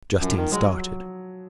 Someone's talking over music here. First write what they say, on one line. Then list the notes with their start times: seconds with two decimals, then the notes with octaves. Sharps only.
Justine started.
0.20 F#2 F3
0.37 D#3
0.51 F#3 G#3